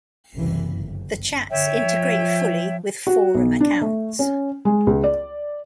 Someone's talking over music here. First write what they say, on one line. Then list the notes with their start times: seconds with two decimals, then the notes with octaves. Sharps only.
The chats integrate fully with forum accounts.
0.34 F#1 C2 E3
0.69 G1
1.51 D3 C#5 E5 G5
1.81 F3
3.07 F#4
3.35 B1
3.61 D4
3.81 A3
4.19 C#4
4.65 G#3
4.87 C#2
5.04 D5